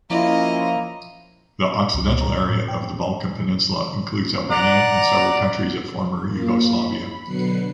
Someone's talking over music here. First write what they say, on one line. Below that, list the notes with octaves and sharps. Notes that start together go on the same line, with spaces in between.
The occidental area of the Balkan peninsula includes Albania and several countries of former Yugoslavia.
F3 A#3 C#4 E4 F4 D#5 A#5
C#2
A#5
A2
G5
D5 F#5 A#5
A#3 F4
B5
B2 D3 F#3 B4 C7 C#7